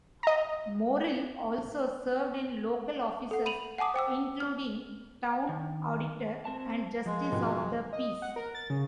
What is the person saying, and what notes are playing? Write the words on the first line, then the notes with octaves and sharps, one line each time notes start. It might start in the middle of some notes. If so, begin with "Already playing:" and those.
Morrill also served in local offices including Town Auditor and Justice of the Peace.
D#5 A#5
A4 F#5
B5 D#7 F7 F#7
F#5 G#5 A5 D6 D#6
C5 G5 D6 E6
F6
D#3
C4 A5
F3 G#3
F2 B2 D#3
D#5
F#5
A#4
A6
C#3